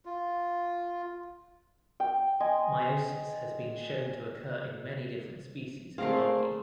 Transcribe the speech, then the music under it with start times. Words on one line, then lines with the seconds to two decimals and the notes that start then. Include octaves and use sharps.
Meiosis has been shown to occur in many different species of algae.
0.05 F4
2.00 G5
2.40 D#5 G#5 C6
5.98 A3 A#3 C4 G#4 C5 F5 A#5 C6